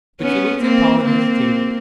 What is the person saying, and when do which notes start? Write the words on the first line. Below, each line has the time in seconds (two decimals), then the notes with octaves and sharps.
But she looked at Paul and hesitated.
0.21 B3 C#4
0.63 A#3 C4
1.04 A#3 C4